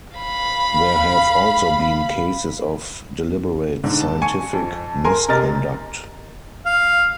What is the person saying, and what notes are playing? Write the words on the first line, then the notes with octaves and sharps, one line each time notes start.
There have also been cases of deliberate scientific misconduct.
F5 B5
G#2 D3
A5
G#5 C#6 C#7
F2
A#4 G#5 C6
C3 A#4 D#5 F6 A6
F5